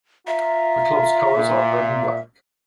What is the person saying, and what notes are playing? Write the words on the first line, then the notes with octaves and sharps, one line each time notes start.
The club's colors are red and black.
F4 E5 A#5
A#2